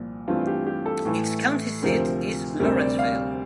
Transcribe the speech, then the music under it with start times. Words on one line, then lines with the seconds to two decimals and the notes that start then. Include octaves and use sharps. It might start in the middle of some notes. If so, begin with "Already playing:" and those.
Its county seat is Lawrenceville.
Already playing: C2 A#2 F3
0.28 G2 E3 A3 C4 F4
0.47 G4
0.66 G4
0.86 A4
1.05 A2 E3 A3
1.82 D2 C3 F3 C4 A#4
2.59 D2 C3 G3 C4 A#4
2.79 D5
2.99 F5